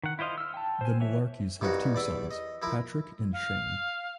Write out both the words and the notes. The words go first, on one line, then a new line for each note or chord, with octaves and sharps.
The Mularkeys have two sons, Patrick and Shane.
D#3 F#5
E4 F4 C5 D#5 F5
E6 F6
G5 A5
C5 G#5
E3 C#5 E5
C2 G2 C#4 D#4 F#4
E2 D5 E5
D#5
F3 E4 A#4
F5